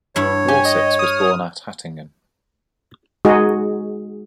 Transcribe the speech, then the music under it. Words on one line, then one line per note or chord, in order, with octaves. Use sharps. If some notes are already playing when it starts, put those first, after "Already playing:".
Warsitz was born at Hattingen.
G2 E4 C#5
G4 G#5
D#5
D#6 F6
G#3 D#4 F#4 G#4 D#5